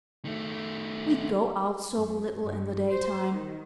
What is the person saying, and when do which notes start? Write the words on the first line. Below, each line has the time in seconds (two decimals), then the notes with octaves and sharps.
"We go out so little in the daytime."
0.25 D#3 A3
1.97 F#2
2.38 G2
2.91 C5
3.31 D#3